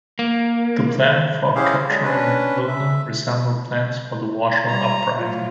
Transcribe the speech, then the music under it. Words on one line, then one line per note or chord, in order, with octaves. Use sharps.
The plan for capturing Wilno resembled plans for the Warsaw Uprising.
A#3
C#4 E4 G4 G#4 C5 F5
D3 F#3 G#3 D4
C#4 D4 B4
E5
G3 A#5
A2 F#3 F4